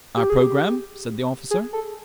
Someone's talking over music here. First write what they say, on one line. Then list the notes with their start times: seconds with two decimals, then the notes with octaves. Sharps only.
"Our programme?" said the officer.
0.17 G4
0.30 G#4
0.42 G4
1.51 G#4
1.73 A4